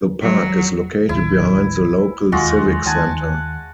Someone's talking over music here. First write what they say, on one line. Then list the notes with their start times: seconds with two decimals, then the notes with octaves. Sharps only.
The park is located behind the local Civic Center.
0.22 F#3
1.09 A1 D#2 E4
2.32 E1 D#2 G#3 F4 F#4
2.86 D#2 F#5 G#5 A5